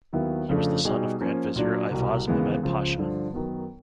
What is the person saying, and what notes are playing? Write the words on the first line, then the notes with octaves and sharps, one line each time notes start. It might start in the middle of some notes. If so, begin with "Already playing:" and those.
He was the son of Grand Vizier Ivaz Mehmed Pasha.
D#2 D#3 F#3 B3 E4
F2 C#3 F3 A3 D4
B2 G3 B3 D#4 G#4
F3 A#3 C#4
A#2 F#3 A#3 D4
C2 B2 G3
D#2 C#3 E3 G#3 B3
C#2 C#3 F3
G2 D3 F3
F#2 D#3 F#3 B3